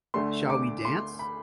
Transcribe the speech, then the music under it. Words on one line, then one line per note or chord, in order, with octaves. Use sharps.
Shall We Dance?
D2 D3 A3 C6
D6
C6
B5